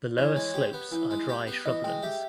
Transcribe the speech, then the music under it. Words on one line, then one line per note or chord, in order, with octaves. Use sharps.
The lower slopes are dry shrublands.
E3 C#5
G#3
G4
B3
E3
G#3
G4
B3
E3 D#5
G#3 G5
G4 E5